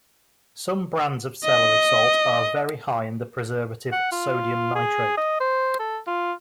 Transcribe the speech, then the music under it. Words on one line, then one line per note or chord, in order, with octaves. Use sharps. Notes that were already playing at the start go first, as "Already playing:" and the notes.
Some brands of celery salt are very high in the preservative sodium nitrate.
D#5
F#5
F4
G#4
D#5
C5
A4
F4